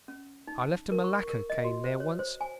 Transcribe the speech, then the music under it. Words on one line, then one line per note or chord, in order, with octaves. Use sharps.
I left a malacca cane there once.
C#4
D#4
A#4
C#6
A#4
D#5
F#4
C5
C#5
C5
G#5